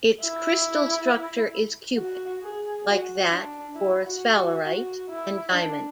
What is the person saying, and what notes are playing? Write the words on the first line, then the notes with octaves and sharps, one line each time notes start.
Its crystal structure is cubic, like that for sphalerite and diamond.
E4
F#4
G#4
F#4
D4
E4
F#4
F#4
F#4
E4
D4